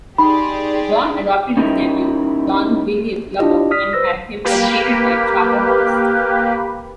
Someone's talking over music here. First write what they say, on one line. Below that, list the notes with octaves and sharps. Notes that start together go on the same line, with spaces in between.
John adopted his nephew, John William Lubbock and had him educated at Charterhouse.
D#4 G4 G#4 D5 B5 C6
C#4 D#4 E4 G4 A#4
D4 E4 F4 G4 D#5
D5 D#6 F6 B6
B4 C5 E6 A#6
A#3 G4 B4